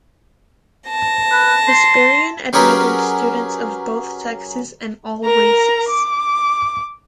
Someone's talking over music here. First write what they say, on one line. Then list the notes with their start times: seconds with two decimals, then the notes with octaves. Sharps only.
Hesperian admitted students of both sexes and all races.
0.88 A5 A#6
1.32 B4
1.68 C6
2.53 F#3 C#4 G4 G#4 A#4 B4
5.26 A#4 A#5
5.89 D6